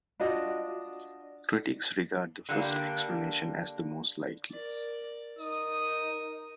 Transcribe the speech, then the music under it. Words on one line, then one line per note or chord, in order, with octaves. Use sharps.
Critics regard the first explanation as the more likely.
D4 F4 F#4 D#5
D3 G3 A#3 D4
A#4 D5
D#4 A#4 D#6